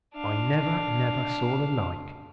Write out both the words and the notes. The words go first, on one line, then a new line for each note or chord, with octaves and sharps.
'I never, never saw the like.
D4 F5